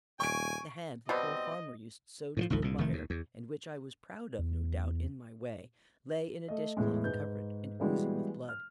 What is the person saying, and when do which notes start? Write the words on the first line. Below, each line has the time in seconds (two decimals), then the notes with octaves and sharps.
The hand the poor farmer used so to admire, and which I was proud of no doubt, in my way, lay in a dishcloth covered and oozing with blood.
0.20 D#1 G#5 C#6 D7
1.09 B2 G3 C4 D#5
2.37 A2 E3 F3
2.50 G#1 C#2 G#2 F3
2.62 C2 A#2
2.78 F1 D#3 A3
2.93 D#2
3.10 E2
4.39 E2
6.48 A3 D#5
6.77 E2 A2 G#3
7.04 G#2 B4 G6
7.80 E3 G3 G#3 B3 F#4
8.49 F6